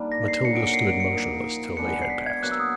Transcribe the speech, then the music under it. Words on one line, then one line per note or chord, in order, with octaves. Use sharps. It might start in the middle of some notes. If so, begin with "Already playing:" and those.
Matilda stood motionless till they had passed.
Already playing: D#3 G3 A#3 D4
A#6
C7
F#2 D3 F#3 A#3 C#7
D7
C#7
C7
C#7
D7
C#7
A#2 F3 A#3 D#4
B2 G#3 B3 D4 C#7
C#7
C7
B6
G#6
B2 F#3 A#3 F#6
E6
D#6